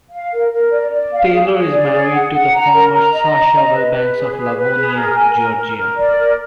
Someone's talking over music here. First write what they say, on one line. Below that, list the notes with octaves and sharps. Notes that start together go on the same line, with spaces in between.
Taylor is married to the former Sacha Wilbanks of Lavonia, Georgia.
F5
A#4
A#4
D5
D5
F5
G#4
G#4
D5
G#4
F#5
F#5
A#5
A#4
A#5
D#5
A#5
D#5
B4
B4
G#4
B4
B4
G#4
A#4
G#5
A#4
A#4
A#4
D5
A#4